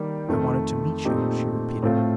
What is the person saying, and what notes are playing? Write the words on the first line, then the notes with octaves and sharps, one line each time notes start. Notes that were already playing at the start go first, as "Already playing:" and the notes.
"I wanted to meet you," she repeated.
Already playing: D#3 G3 A#3
F2 D#3 A3
A#2 A3 C4 D#4 G4
A2 A3 C4 F4 A4